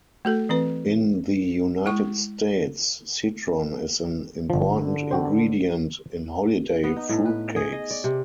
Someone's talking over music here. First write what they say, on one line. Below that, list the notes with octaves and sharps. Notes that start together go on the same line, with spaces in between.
In the United States, citron is an important ingredient in holiday fruit cakes.
A3 F#4 A4
E3 C4 B4
G#3 E4 C#6
G1 D3 F3
F#4 G4 C5
B3
D#4
A2
B4
G#4
D#5
D5
C3